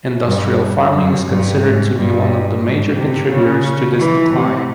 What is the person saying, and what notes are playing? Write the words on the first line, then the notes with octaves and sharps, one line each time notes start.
Industrial farming is considered to be one of the major contributors to this decline.
G2
F#2
G2
G#2
G2
G#2
C3
C#3
E3
C3